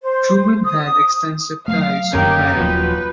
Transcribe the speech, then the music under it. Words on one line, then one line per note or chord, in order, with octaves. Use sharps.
Truman had extensive ties to Maryville.
C5
D#6
F#3 G3 A3 F5
E1 F#2 D#3 A#3 C#4 D#4 G4 A#4
D#1 F3 F#3 B4